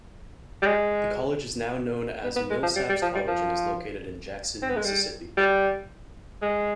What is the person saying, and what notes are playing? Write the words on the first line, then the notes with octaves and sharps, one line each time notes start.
The college is now known as Millsaps College and is located in Jackson, Mississippi.
G3
G#3
B3
B3
G#3
F3
G3
G3
F3
G3
F3
C4
B3
G#3
G3
G3
G#3